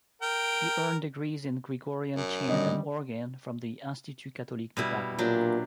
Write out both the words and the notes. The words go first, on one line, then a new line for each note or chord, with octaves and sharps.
He earned degrees in Gregorian Chant and Organ from the Institut Catholique de Paris.
A#4 G5
F#2
D3 D#3 G3 C#4 D#5
B2 G3 E4
A#2 F#3 D4 G4